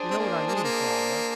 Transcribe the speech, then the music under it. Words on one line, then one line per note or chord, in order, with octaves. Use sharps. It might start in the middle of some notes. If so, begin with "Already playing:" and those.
'You know what I mean, father.'
Already playing: D4 G#4 C5
C4
A#3
A#3
G#3
A#3